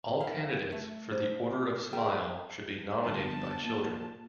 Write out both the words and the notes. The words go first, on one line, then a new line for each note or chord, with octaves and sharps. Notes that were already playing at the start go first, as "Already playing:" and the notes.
All candidates for the Order of Smile should be nominated by children.
E4 F5
A3
C5
G#4 G5
G1 A5
A#2